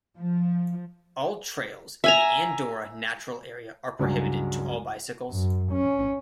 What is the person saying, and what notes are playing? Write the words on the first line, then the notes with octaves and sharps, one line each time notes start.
All trails in the Andorra Natural Area are prohibited to all bicycles.
F3
E5 G#5 A#5
C#2 G2 F#3 G#3
F#2
C#4